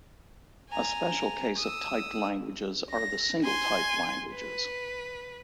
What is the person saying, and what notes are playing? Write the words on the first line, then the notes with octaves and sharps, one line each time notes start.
A special case of typed languages are the "single-type" languages.
G#5 A#5
D#6 E6
A#6
G#5 C6
B4